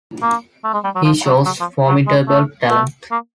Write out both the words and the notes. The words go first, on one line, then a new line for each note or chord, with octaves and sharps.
He shows formidable talent.
A#3
A3
G#3
G3
F#3
F3
F#3
F#3
F3
F#3
G#3
A3
A3
A#3